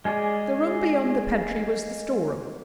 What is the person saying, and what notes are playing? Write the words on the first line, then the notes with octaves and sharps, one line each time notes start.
The room beyond the pantry was the storeroom.
G#3 G#4 D5